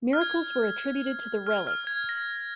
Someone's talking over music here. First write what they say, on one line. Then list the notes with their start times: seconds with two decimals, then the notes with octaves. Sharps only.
Miracles were attributed to the relics.
0.13 F6
0.21 G#6
1.47 F6
1.67 F6
1.87 G#6
2.09 A#6